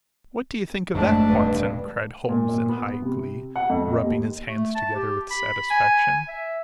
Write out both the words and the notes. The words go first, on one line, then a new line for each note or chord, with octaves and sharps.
"What do you think of that, Watson?" cried Holmes in high glee, rubbing his hands together with satisfaction.
F#1 G#2 A3 D4
E1 G2 B4 D5 D#5
A#2
A#2
B3
C3
F#5
F2
D#5
D#2
A3
A5
G4
B5
G#5
E5